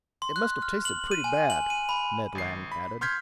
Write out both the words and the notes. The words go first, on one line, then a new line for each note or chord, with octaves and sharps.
"It must have tasted pretty bad," Ned Land added.
C6
F#6
F6
F#7
D#7
G#5
F#7
D#7
B5
G#1 C7
B5
C6 F6 G6 G#6 B6